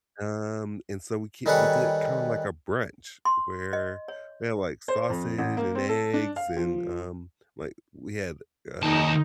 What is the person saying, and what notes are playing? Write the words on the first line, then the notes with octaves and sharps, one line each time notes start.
um, and so, we k we did it kinda like a brunch, where we had, like, sausage and eggs and, um, like, we had, um,
D#3 G3 G#4 A4 B4 C#5
C6
D#5
C#5
C5
F2
A1
A#3
C4
A4
D4
F5
F3
D#2 D#4 A5